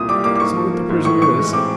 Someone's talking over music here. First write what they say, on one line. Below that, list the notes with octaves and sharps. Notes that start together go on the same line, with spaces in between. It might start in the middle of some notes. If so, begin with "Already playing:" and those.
See what the prisoner is.
Already playing: C2 A#2 D#6
G3 D6
A#3 D6
D6
G#2 C#6
F3
A#3
G#2
A2 C#6
E3 C#6
G#3
C4 D6